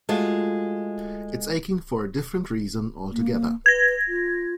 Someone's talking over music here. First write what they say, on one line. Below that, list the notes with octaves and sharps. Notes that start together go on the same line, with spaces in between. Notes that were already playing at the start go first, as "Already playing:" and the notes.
It's aching for a different reason altogether.
G#3 A3 F4 F#4
A#3
B4 G#6 A#6
F4